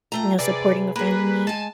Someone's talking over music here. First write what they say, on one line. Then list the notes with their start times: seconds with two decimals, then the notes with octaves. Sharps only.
you know, supporting a friend in need?
0.12 F2 A3 A#5
0.39 C3 G#4 B4 D5
0.96 A#3 G#4 B4
1.47 G#3 G#5 A5